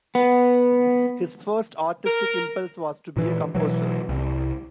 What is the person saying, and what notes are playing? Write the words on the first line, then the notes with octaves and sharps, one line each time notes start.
His first artistic impulse was to be a composer.
B3
A#4
A#2 E3
B2 E3 F#3
C2